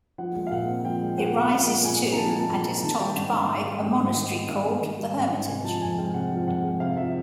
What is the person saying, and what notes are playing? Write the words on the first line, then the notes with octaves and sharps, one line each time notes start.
It rises to and is topped by a monastery called "The Hermitage".
F3 F#5
G#3
F5
A#2 F#5
C4
F3 G5
G#3
A#2 F#5
C4
F#5
F3 F5
G#3
A#2 G#5
C4
A#5
F3 A5
G#3 G#5
A5
A#2 A#5
C4
D#3 A5
G3 G5
G#2 F#5
G#2 F5
D#3 F5
G3
G#2 G5
G#2
D#3 F#5
G3
G#2 F5
G#2
D#3
G3
G#2
G#2
C3 G#5
F3 A5
F2 G#5
G#3 G5
C3 F#5
F3
F2 F#5
G#3
C3 F5
F3 E5